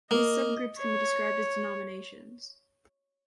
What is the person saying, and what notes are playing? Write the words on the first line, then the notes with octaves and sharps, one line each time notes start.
These subgroups can be described as denominations.
A#3 D#5
C#5